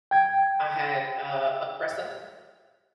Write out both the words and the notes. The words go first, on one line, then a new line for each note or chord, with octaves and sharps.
I had, uh, a Presa,
G5 G#6